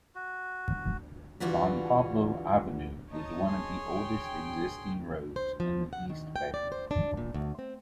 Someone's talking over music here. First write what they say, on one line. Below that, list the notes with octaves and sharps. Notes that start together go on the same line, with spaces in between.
San Pablo Avenue is one of the oldest existing roads in the East Bay.
F#4
D3 E3 G3 F4 F#4
D#4 C#5 D#5 A5
G#4 C6
G5
C5
F3
F#5
D#3
G5
D5
C5
D4
A#2
D2
C4